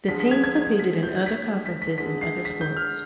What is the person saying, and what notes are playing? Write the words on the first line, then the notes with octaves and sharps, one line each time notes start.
The teams competed in other conferences in other sports.
D3 F3 G#3 B6
B6
G#6
G#6
G#6
B6
G6
B6
B6
B6
D3 G#3 B6
C7
B6
G6
F6